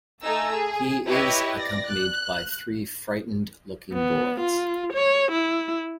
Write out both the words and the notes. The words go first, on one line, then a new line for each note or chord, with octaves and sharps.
He is accompanied by three frightened-looking boys.
A3 D#4 G#5 A#5 E6
G#4
E4 G4 B4 C#5 D#5 E5
D5 A#6
F#6
B3
F4
C#5
E4